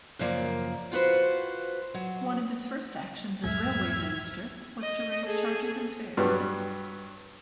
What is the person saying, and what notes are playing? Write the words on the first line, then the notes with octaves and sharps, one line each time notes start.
One of his first actions as Railway Minister was to raise charges and fares.
F#2 C#3 F3 A#3 D5
F4 F#4 B4 C5
F#3
C#2 F#2 A2 G#3 E5 F6 G#6
D#5
G#4 A4
G2 F#3 G3 F#4 B4